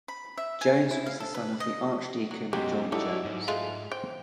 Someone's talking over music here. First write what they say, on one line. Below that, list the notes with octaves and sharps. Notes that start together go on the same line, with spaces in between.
Jones was the son of the Archdeacon John Jones.
B5
E5
G#5
E4
F5
A4
B4
D#5
F#3
F#2 B2 F#3 G#3 G4
G3 D#4 E4 F#4 A4 C#5 D5
G#2
G#3 A3 F4 F7
C5 G5